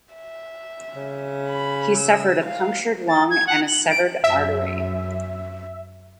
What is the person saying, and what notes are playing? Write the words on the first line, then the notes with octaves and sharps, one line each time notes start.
He suffered a punctured lung and a severed artery.
E5
C#3
B5
E6
F5
A6
G#6
F#5
F#7
D7
F#2 E5